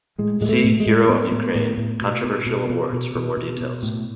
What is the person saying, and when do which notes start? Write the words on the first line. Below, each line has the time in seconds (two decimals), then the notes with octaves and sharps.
See Hero of Ukraine: Controversial awards for more details.
0.18 A2 G#3
0.41 A2 G#3
0.49 A3
0.64 A2
0.80 G#3
0.86 A2
1.09 A2 B3
1.32 A2
1.55 A2
1.78 A2
2.01 B2
2.24 B2
2.46 B2
2.69 B2
2.93 B2
3.15 B2
3.37 B2
3.61 B2
3.83 A2